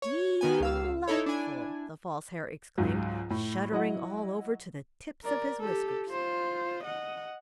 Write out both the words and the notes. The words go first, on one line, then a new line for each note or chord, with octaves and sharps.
"Dee-lightful!" the False Hare exclaimed, shuddering all over to the tips of his whiskers.
C#5
D#3 B3 G#5
C#2 F5 E6
D#4 E4 A4 C#5
D4 E4 G#5
C#2 G#2 F#3
A2
F#3 E4 D#5 F#5
A#4 D5
G4 A4
F4 C5
D#5 F#5